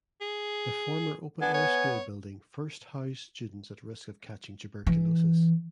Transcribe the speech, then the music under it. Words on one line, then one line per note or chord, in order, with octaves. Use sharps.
The former open air school building first housed students at risk of catching tuberculosis.
G#4
B3 D4 G#5
C#5 G#5
E3